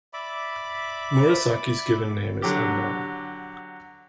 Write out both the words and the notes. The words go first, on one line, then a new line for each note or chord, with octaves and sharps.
Murasaki's given name is unknown.
D5 E5 B5 D6
D3 F#3 G4